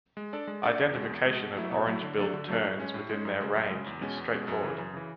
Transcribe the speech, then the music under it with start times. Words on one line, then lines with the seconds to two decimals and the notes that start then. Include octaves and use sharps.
Identification of orange-billed terns within their range is straightforward.
0.17 G#3
0.33 D4 A4 D5
0.47 G#3
0.63 D4 A4 D5
0.78 E2
0.95 B2 G#3
1.10 E2
1.25 B2 G#3
1.40 B2
1.56 F#3 A3 E4
1.71 B2
1.86 F#3 A3 E4
2.02 D3
2.17 F#3 A3 D4 A4
2.33 D3
2.48 F#3 A3 D4 A4
2.63 A2
2.78 G#3 C#4
2.94 A2
3.09 G#3 C#4
3.25 F#2
3.40 C#3 G#3
3.55 F#2
3.70 C#3 G#3
3.87 E2
4.01 B2 G#3 C#4
4.17 E2
4.32 B2 G#3 C#4
4.48 F#2
4.63 C#3 E3
4.78 F#2
4.93 C#3 E3